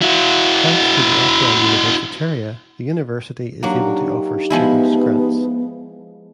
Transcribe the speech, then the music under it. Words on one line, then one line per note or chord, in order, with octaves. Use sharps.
Thanks to the Opera Universitaria, the University is able to offer students grants.
E4 F#4
F#3 A#3 D4 D#4 G4
F3 G#3 B3 E4